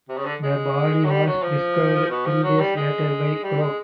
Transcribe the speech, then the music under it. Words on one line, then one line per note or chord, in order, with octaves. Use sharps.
The body was discovered three days later by Krohg.
C3
C#3
D3
G#3
F#3
G3
F#3
F3
B2
F3
F#3
G3
G#3
G3
G#3